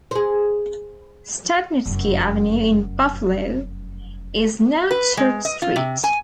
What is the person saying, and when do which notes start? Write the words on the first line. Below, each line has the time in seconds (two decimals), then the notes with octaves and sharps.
Stadnitski Avenue in Buffalo is now Church Street.
0.11 G#4 C5
1.86 F1 F#2
4.91 B4
5.17 G#3
5.45 D#5
5.62 F4
5.76 C3
6.04 G#5